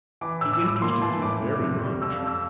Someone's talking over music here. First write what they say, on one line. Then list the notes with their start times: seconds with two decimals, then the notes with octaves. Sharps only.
He interested you very much.'
0.21 E3 D6
0.41 A2 E6
0.53 E6
0.61 A2 D6
0.82 A#3 C6
1.02 E3 A5
1.22 A2 D6
1.42 C3
1.62 C3
1.83 G3
2.02 F2 E6
2.22 F2 E6